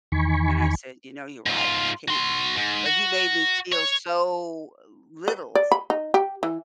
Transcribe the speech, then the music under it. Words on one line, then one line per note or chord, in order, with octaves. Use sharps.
and I said, "You know, you're right, I can." But he made me feel so little.
E2 D#3 G#5 B5 C#6
G#2 F4
F#4 C6
G#2
F#4
C#5
B4
D5
B5
D#4
G4
E3